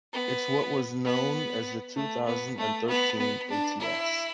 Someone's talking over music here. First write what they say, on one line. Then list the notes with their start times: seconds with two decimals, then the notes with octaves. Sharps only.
It’s what was known as the two thousand and thirteen ATS.
0.13 B3
1.04 B3
1.96 A3
2.26 B3
2.57 A3
2.88 B3
3.20 B3
3.50 D4
3.80 E4